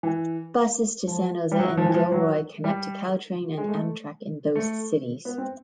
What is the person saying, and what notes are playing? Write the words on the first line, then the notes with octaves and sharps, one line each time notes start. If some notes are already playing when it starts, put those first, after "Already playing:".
Buses to San Jose and Gilroy connect to Caltrain and Amtrak in those cities.
E3
F3
G3
F#3
F3
E3
F3
F#3
G3
G#3
A3
A3
B3
C4